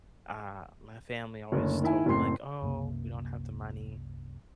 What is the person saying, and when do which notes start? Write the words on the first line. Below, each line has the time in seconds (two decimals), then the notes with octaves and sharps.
uh, my family always told me like, "Oh, we don't have the money,"
1.52 F#1 D2 C#5
1.83 D#3 E4 G#5
2.06 F#1 A2 C4 C6 C7
2.62 C2 F#2 C3 A#3